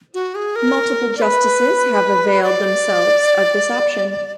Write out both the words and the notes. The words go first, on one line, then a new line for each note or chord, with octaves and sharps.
Multiple Justices have availed themselves of this option.
F#4
G#4
A#4
D5
B4
D5